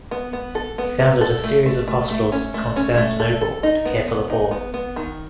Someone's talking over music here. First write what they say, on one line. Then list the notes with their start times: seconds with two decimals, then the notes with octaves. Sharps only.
He founded a series of hospitals in Constantinople to care for the poor.
0.11 B3
0.33 B3
0.55 A4
0.78 B3
1.00 B3
1.21 A4
1.44 A3
1.66 A3
1.88 A3
2.10 A3
2.32 C#4
2.54 A3
2.76 C#4
2.97 A3
3.20 A4
3.41 A4
3.63 D#4
3.85 B3
4.08 B3
4.30 D#4
4.51 B3
4.74 B3
4.96 D#3